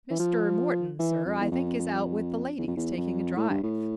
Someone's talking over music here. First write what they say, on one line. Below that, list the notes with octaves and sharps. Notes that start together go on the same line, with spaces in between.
"Mr. Morton, sir, I think is out with the ladies, taking a drive."
E3
F3
E3
F2
E2
F2
F2
E2
F2
E2
F2
A2
G2
A2